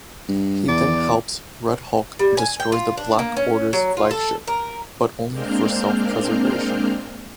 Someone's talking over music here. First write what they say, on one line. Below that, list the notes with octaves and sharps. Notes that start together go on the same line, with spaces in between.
He then helps Red Hulk destroy the Black Order's flagship, but only for self-preservation.
G2
E2 D5
G3
G#5
G5
F4
D4
A#3
C#4
F#3
F4
A4
A#4
G#3 A#3 C4 D4 F6 G6